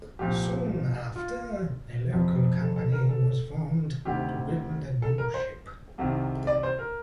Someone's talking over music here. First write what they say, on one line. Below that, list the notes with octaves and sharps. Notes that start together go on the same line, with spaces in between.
Soon after, a local company was formed to build a new ship.
C2 A#2 F3 G4
F4
F2 C3 F3
A4
A4
A#4
A4
D2 C3 D#3 G4
A4
A#4
C5
C2 C3 D#3
D5
C5
A#4